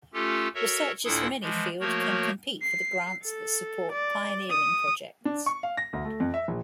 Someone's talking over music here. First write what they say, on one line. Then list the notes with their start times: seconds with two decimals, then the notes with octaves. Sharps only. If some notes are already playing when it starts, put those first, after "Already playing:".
Researchers from any field can compete for the grants that support pioneering projects.
0.13 A3 C#4 F4 G4 A4
0.54 F#4 A4 A#4 C#5 E5
1.05 D#2 A#2 D4 E4 A4 D#6
1.42 E3 F3 G#3
1.80 F3 A3 A#3 F#4 A#4 C#5
2.62 C7
3.23 A4
3.92 D5
4.50 D#6
5.25 D4
5.46 C#6
5.63 F5
5.77 A#6
5.93 D2
6.05 A3
6.20 F2
6.34 E5
6.48 A#1